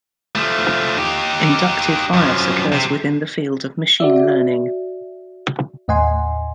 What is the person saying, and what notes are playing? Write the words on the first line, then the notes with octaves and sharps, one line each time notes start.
Inductive bias occurs within the field of machine learning.
F3 A3
D#4 G4
F#2 F3
C3
F#4 D5 E5
D#2 A2 D#5 F#5 G#5 C6